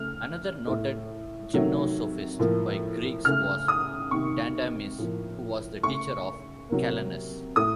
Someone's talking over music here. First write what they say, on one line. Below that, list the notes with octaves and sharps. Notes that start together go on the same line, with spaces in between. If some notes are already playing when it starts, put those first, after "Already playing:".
Another noted gymnosophist by Greeks was Dandamis, who was the teacher of Calanus.
Already playing: C#3 A3 F6
A2 A3
C3 D#3 F#3 A3
A2 F3 A#3
C#3 A3 F6
D#6
C3 D#3 A#3 C#6
A2 F3 A#3
C#3 A3 C#6
C3 F#3 A#3
A2 A3 D#6